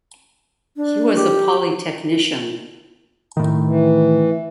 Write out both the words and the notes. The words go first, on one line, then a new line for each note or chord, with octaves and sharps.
He was a Polytechnician.
D4
G4
A2 D#3
E3